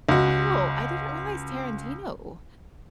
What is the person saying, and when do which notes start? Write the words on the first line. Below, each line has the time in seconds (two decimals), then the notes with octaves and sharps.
Oh, I didn't realize Tarantino,
0.09 C#2 F#4